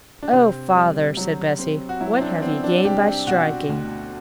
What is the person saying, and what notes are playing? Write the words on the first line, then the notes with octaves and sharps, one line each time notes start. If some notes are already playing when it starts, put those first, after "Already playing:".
'O, father!' said Bessy, 'what have ye gained by striking?
D4
C3 C4
G3
F#3
C4
F#4
F#3 E4
C4
D4
B3 C4
D4
C2 G4
B2 F#4
D2